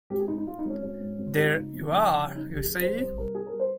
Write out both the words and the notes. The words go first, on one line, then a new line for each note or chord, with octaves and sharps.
There you are, you see!
G#1 G4
G#4
G#1 D#4
D#4
G#1 F4
D#4
G#1 C#4
G#1 C#4
G#2
G#1
G#1 G4
F4
C#3 D#4
F2
F2
C#3
G3 C#4
D#4
F1
G4
F1 G#4
G3 C5
C2 C5
C2 A#4
G3 G#4
A#4
G3
C5